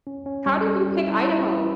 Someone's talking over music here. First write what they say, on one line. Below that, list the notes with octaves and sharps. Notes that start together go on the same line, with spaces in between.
How did you pick Idaho?
C#4
C#4
G3
G3
G3
E4
E4
E4